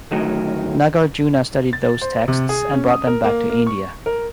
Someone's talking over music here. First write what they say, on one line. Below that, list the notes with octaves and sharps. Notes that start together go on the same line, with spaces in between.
Nagarjuna studied those texts and brought them back to India.
D2 A2 D#3 F#3
A6
C5
C3
G#4
C#4
D#6
A#4
A#3
A#3
C#6
A#4